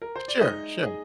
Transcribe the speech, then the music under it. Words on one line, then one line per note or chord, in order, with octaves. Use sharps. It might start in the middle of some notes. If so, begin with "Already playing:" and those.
Sure, sure.
A#4
C5
D5
G#3 D#4 D#5
G#4